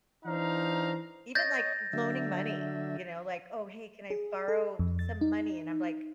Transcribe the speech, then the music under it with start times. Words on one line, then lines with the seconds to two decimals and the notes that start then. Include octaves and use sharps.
Even, like, loaning money, you know, like, "Oh, hey, can I borrow some money?" And I'm like
0.25 E3 D4 D#4 C5 F5 A#5
1.35 C#5 D#5 G6 A6 A#6
1.93 D3 F#3 E5
4.10 G#4
4.48 A4
4.79 F2
4.99 A6
5.21 D#4